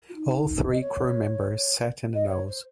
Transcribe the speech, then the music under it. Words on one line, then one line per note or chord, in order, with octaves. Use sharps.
All three crew members sat in the nose.
F4
D#4
D#5
C#5
D#5
C5
C#5
C5